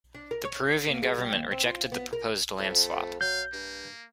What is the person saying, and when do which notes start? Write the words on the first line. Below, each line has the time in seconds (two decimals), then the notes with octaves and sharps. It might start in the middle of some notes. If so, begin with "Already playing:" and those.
The Peruvian government rejected the proposed land swap.
0.14 D4
0.31 A#4
0.45 C#5
0.88 A#3
1.02 G#3
1.18 G3
1.32 D#2
1.51 C4
1.64 F4
1.92 B3
2.13 A#4
2.59 F2 A3
3.21 F#3 F5 G6
3.53 G2 A#3